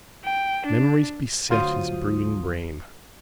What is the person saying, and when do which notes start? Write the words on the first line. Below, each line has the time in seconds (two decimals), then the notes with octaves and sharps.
Memories beset his brooding brain.
0.24 G5
0.66 D4
1.49 D2 F#3 F4 C5 D#6